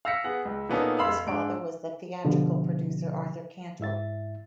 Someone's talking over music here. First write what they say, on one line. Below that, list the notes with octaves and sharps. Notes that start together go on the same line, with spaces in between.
His father was the theatrical producer Arthur Cantor.
F5 E6 A#6 B6 C#7
B3 G#4 F#5
C#2
A#2 A#3 B3 C#4 D#4 A4
F1 F5 B5 C6 E6 F#7
G#2 D4 D7
B2 D3 F3 G3
G#2 E4 E5 A6